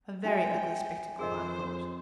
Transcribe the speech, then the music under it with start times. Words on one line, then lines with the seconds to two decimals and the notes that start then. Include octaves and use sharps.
A very ugly spectacle, I thought.
0.25 D#4 F#4 E5 G5 G#5
1.19 F2 G#4 A#4 C5 D#5